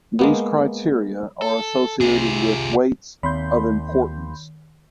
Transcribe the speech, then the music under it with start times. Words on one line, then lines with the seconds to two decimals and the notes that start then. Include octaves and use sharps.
These criteria are associated with weights of importance.
0.19 G#3 A#3 B3
1.42 A4
2.01 C3 F4 G#4
3.23 D#2 D#3 B5 C6 G6